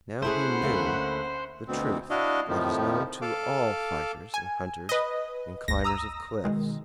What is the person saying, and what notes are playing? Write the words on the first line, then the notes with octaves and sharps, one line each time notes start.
Now he knew the truth that is known to all fighters, and hunters, and climbers of cliffs.
A3 C#4 E4 G#4 C5 F#5 B5
D2 A3 A#3
D2 B2 C4
D4 E4 F#4 D#5 F5
F2 A2 C3 D#3 F3
A4 F5 D6
G#5
B4 D#5
G1 D2 A#6
A#5 D#6 E6
B2 D#3 G#3